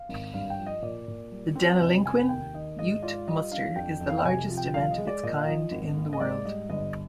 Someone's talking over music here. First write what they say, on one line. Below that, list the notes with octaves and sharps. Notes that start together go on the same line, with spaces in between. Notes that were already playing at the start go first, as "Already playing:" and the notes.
The Deniliquin Ute Muster is the largest event of its kind in the world.
Already playing: F5
G#1
G2 F5
G5
F3
D#5
A#2 D5
A#2
G3
C4
F1 D#5
F1 G#5
D#2 G5
D#3 D#5
G#2 D#5
F4 D5
G3 D#5
D4 F5
F2 G5
F2
F5
G5
C3 G#5
F3
G5
C2 F5
D#5
G#3
D5
A#2 D#5
F5
F3 D#5
G#1
A#3
D#5
G#2 D5
G3 D#5
G1 D#5